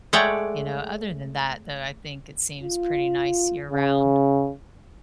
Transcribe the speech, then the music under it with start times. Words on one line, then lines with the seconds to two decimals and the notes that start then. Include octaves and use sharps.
you know, other than that though, I think it seems pretty nice year-round.
0.13 G#3 A3 C#5 D5 F#5 G5
2.63 F4
3.71 C#3